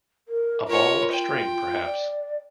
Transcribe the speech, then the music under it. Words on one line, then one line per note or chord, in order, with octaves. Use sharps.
A ball of string, perhaps.
A#4
F4 A#4 C#5
G5
D5